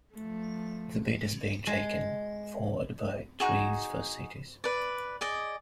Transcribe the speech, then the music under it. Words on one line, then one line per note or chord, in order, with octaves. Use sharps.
The bid is being taken forward by Trees for Cities.
F3 A3
G#3
D#4 F#4 G#4
B4 D5
G#4 D5 D#5